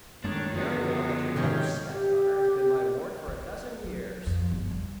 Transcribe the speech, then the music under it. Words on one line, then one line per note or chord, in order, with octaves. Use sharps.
"You know very well that your brother's stepdaughter has been my ward for a dozen years."
F#2 D#3 G#3 A3 D4 C#5
F#2 D3 F3 B3 F#4
G#2 C3 D#3 C#4 G5
G4
D#4
F#3
F2
G1
G3